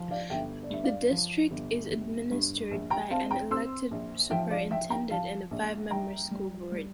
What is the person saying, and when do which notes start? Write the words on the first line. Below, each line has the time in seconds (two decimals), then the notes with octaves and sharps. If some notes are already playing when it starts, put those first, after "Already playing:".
The district is administered by an elected superintendent and a five-member school board.
Already playing: F3
0.11 D5 F5
0.30 G1 E5 G5
0.63 D5
0.70 G2 E5
0.84 D5 F5
1.11 F3
1.51 G1
1.90 G1
2.31 G2
2.71 A#1
2.90 G5 A#5
3.11 C4 F5 A5
3.31 G5 A#5
3.50 C4 C6 E6
3.91 A#1
4.30 F3 E5 G5
4.50 D5 F5
4.71 F3 E5 G5
4.90 G5 A#5
5.11 F3 F5 A5
5.51 A#1
5.90 G3 G5 A#5
6.31 G3
6.72 G3